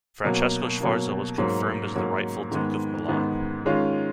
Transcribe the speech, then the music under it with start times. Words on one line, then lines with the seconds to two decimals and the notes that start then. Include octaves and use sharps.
Francesco Sforza was confirmed as the rightful duke of Milan.
0.24 B2 F#3 A#3
0.81 B2 F#3 A#3
1.38 G#2 F#3 A#3
1.95 G#2 F#3 A#3
2.51 G#2 D#3 G#3 B3
3.08 G#2 D#3 G#3 B3
3.66 D#3 G#3 C#4 F4